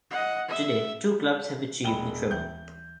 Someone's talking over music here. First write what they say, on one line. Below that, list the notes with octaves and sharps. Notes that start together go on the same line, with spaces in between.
To date, two clubs have achieved the Treble.
D#5 F#5
E5
E1 G5 B5 G7
D#2 E3 G6